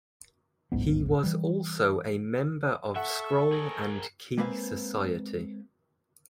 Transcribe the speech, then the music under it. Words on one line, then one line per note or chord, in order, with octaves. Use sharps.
He was also a member of Scroll and Key Society.
D1 A1 G#2 B3
E3 G3
A4 E5 F#5 C#6
G#4 A#4
G#3 A#3 C4 B4 F5 G#5